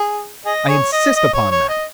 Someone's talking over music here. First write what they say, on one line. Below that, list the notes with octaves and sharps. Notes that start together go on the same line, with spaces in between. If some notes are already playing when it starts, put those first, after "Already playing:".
I insist upon that.
Already playing: G#4
G#4 D#5
G#4 C#5
D#5
D#5
C#5
C#5
D#5